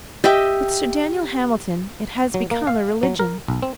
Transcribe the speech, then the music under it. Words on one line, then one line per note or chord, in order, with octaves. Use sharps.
With Sir Daniel Hamilton it has become a religion.
G4 D#5 E5 G5
F#3
A#3
F5
F#3
A#4
B1
C4